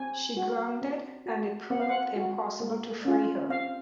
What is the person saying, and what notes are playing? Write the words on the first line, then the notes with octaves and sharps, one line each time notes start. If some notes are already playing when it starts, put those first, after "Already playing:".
She grounded and it proved impossible to free her.
Already playing: C4 G#5
F#4
C4
F#4
C4 F#5
F5
F#5
F#4
A#3
C#4 F4
C4 F5